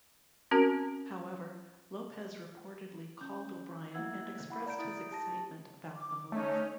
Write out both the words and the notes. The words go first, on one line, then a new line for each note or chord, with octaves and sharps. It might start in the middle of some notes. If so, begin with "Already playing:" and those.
However, Lopez reportedly called O'Brien and expressed his excitement about the move.
C4 C#4 F#4 A#4
C#4 G6
A3 A#3 E4 F#5 E6 G#6
E4 F#5 B5
D5 A#5 G6 D7
E4 D#6 A6
G4 A5 A#6
D6
A3 C#4 D#4 C#5